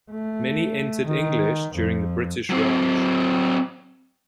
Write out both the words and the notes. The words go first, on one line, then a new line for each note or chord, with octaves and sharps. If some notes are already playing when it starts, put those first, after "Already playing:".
Many entered English during the British Raj.
A3
D#3
F2
F#3 C4